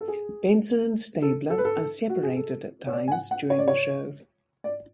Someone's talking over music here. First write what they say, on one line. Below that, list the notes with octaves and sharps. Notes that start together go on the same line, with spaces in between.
Benson and Stabler are separated at times during the show.
A4
G#4
A4
A4
B4
A4
F#4
G#4
A4
C#5
D5
G#5
F#5
F#5
C#5
D5
C#5
D5